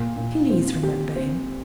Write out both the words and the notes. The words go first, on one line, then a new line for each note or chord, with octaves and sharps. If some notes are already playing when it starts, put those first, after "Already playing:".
Please remember him.
Already playing: A#2
A#2
C4
G4
C4